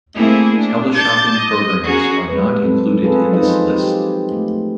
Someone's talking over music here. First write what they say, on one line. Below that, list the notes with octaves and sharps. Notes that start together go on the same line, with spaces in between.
Teleshopping programs are not included in this list.
A3 A#3 C4 E4 G#4
D4
A5 D6 G6 A6
D#5
C#4 F#4 G#4 A#4
G3 G#3 B4
F#3 C4 A4
F3 C4 F4 G#4 A4 B4
F3 D#4 F4 B4 C5 D#5
G4
A3